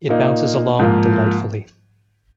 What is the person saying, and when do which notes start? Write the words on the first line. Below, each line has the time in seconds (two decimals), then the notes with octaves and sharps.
It bounces along delightfully.
0.09 A#2 A#3 D#4
0.79 G#2 F3 A#3 F4